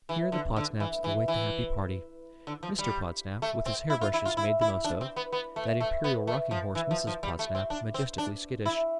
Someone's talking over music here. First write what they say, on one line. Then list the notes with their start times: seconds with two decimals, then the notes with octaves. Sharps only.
Here, the Podsnaps await the happy party; Mr Podsnap, with his hair-brushes made the most of; that imperial rocking-horse, Mrs Podsnap, majestically skittish.
0.09 E3
0.32 D3
0.56 D3
0.80 E3
1.04 E3
1.28 E3
2.47 D3
2.63 F3
2.79 G3
3.42 A3
3.66 C4
3.90 E4
4.01 F4
4.14 E4
4.25 F4
4.37 E4
4.61 E4
4.84 D4
5.01 C4
5.16 B3
5.32 B3
5.56 A3
5.80 A3
6.04 B3
6.27 A3
6.51 F3
6.75 E3
6.91 F3
7.07 F3
7.23 G3
7.39 A3
7.55 C4
7.70 D4
7.94 C4
8.18 D4
8.66 E4